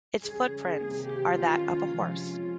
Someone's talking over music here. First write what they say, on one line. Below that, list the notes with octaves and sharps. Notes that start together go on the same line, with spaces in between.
Its footprints are that of a horse.
C#3 G3 C#4 G#4
C3 D#3 G3 A#3 G#4
G4
D#3 A#3 C#4 F4
C3 F3 G#3 C#4 F4
F4